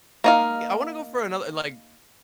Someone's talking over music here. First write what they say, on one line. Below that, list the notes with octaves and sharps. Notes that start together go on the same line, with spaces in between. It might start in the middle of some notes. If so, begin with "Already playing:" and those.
I I wanna go for another, like
A#3 D#4 F5